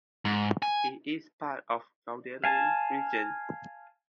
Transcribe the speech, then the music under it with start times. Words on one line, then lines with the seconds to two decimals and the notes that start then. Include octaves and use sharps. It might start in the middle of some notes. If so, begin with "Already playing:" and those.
It is part of the Gauldalen region.
0.25 G#2
0.62 G#5
2.44 F5 G#5 A5